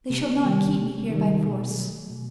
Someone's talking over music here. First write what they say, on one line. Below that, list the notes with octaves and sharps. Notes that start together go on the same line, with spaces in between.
They shall not keep me here by force.
C3
D#3 G3
C3
D#3 G3
B2
F#3 A3
B2